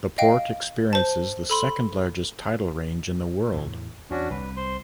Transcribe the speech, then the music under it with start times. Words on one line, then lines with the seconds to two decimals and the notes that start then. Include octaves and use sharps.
The port experiences the second largest tidal range in the world.
0.18 D#5 F5 G5 D7
0.93 C5 A5
1.50 A4 B5 C6
3.52 E2 A2
4.11 E2 C#4 D4 F#4
4.31 C2 B4
4.57 C5 C6